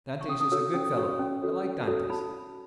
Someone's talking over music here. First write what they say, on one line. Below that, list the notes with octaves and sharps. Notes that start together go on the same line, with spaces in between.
Dantes is a good fellow; I like Dantes.
C#6
C#4 D#6
D#6
F#4 A4 C#5 E6
C#4 D#6
F#4 A4 C#5 C#6
C#4
F#4 A4 C#5
C#4
F#4 A4 C#5
D#4 B5